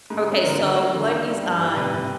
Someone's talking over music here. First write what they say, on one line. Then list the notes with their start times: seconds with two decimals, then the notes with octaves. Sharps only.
Okay, so what is on
0.10 G#2
0.26 G#2
0.43 D3 A#4
0.60 D2
0.77 A#3
0.93 D3
1.10 D#3
1.27 G3
1.43 G2
1.60 G3
1.77 C3 B4
1.94 C3